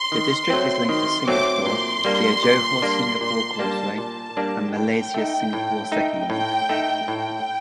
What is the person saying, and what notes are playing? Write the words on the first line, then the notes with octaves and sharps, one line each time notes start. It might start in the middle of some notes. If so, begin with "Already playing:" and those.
The district is linked to Singapore via Johor-Singapore Causeway and Malaysia-Singapore Second Link.
Already playing: C6
D#3
F#3 A3 C4
D#3 C6
F#3 A3 C4 D6
A#2 C6
G3 A#3 D4
A#2
G3 A#3 D4
A#2 C6
G3 A#3 D4 A5
A#2 A5
G3 A#3 D4
A2 G5
A3 D#4
A2
A3 D#4
A2 G5
A3 D#4
A2 G5